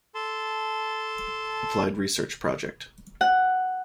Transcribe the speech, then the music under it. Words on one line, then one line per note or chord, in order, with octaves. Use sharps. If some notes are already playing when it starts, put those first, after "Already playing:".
Applied Research Project.
A4 A5 C6
F#5